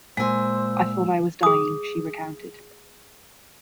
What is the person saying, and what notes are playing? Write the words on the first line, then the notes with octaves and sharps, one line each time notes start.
"I thought I was dying," she recounted.
A#2 G#3 C5 G#5 E6
G#4 D#6